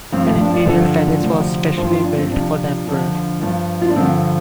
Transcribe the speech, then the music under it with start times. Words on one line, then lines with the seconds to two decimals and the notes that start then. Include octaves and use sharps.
An imperial palace was specially built for the emperor.
0.12 G2 F3 C4
0.26 A3
0.40 D4
0.54 D5
0.67 G2 D3 F3
1.23 D2 C3 F3
1.77 G2 F3 C5
1.91 F4
2.04 D4
2.18 C4
2.32 F2 C3 F3 D4
2.86 F2 D3 F3
3.42 G2 F3
3.82 F4
3.89 D4
3.96 G2 D3 F3 C4